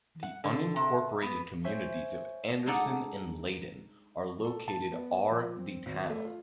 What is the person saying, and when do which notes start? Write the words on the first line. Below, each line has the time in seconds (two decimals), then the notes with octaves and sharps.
The unincorporated communities of Anderson and Leyden are located are the town.
0.23 F#5
0.44 D3
0.76 C3
1.22 B3
1.64 C5 C#5 E5 G#5 G6 B6
2.66 G#3 D4 D#4 A4 D5 F#5
4.45 A4
4.68 A5
4.92 B3
5.30 F3
5.56 C4
5.86 G#1
6.10 A3
6.24 F4